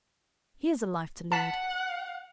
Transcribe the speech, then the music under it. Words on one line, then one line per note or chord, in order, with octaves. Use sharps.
Here's a life to lead!
F#5 A5 B6